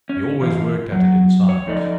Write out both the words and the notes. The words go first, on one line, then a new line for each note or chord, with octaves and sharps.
He always worked at it in silence.
C#4
B2 E3 F4 F5
F#3
C#5
F2 A3 D#4 D5 D#5